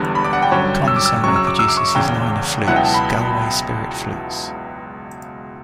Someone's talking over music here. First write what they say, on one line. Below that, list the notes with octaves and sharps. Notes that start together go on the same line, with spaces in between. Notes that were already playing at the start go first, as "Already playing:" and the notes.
Conn-Selmer produces his line of flutes, "Galway Spirit Flutes".
Already playing: E1 E2 D3 G3 B3
B5
D6
F#5
G5
G2 D3 F#3 C#4
E6
D6
E6
F#2 C#3 F#3 C#6
E6
D6
E6
D6
C#6
E1 E2 C#3 G5
C#2 B2 F#3 B3 E4 F#5
G5
A5
B5